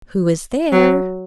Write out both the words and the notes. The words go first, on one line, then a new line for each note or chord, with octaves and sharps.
"Who is there?"
F#3